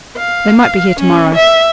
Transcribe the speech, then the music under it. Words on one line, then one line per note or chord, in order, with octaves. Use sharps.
They might be here to-morrow.'
F5
C#4
E5